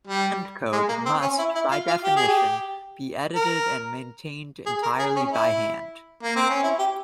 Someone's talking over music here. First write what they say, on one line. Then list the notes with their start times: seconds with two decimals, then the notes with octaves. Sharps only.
Hand code must, by definition, be edited and maintained entirely by hand.
0.07 G3
0.73 G#3
0.88 A#3
1.06 C4
1.22 C#4
1.39 E4
1.55 E4
1.71 F4
1.88 F4
2.04 G4
2.16 G#4
2.28 G4
3.35 A#4
4.66 G#4
4.83 A#4
4.99 G#4
5.16 C#4
5.32 E4
6.23 A#3
6.36 C4
6.49 C#4
6.63 E4
6.79 G4